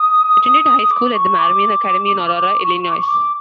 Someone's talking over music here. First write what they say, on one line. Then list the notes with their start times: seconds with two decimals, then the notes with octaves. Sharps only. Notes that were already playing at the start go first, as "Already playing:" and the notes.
He attended high school at the Marmion Academy in Aurora, Illinois.
Already playing: D#6
0.91 D6
1.14 C#6
1.39 D6
2.35 D6
2.59 C#6
2.83 C#6
2.90 D6
2.98 C#6
3.07 D6